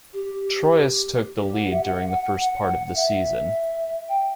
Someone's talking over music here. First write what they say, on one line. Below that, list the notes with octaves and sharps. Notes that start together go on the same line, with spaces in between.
Troyes took the lead during the first part of the season.
G4
G4
F#5
E5
F#5
F#5
F#5
F#5
E5
G5